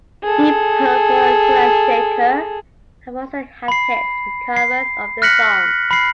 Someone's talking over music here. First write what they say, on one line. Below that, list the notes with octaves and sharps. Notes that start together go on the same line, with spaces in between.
Deep Purple and Kula Shaker have also had hits with covers of the song.
G#4 A4
B5 C7
C7
F6 F#6 A#6 B6 C#7 F#7
B5 C7